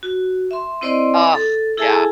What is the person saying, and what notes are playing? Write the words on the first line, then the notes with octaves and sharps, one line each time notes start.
Ugh, yeah.
F#4
E5 C6
C4 E4 C5 D5 D#5 C6
A4
E4 G#4 A4 E5 G#5 A5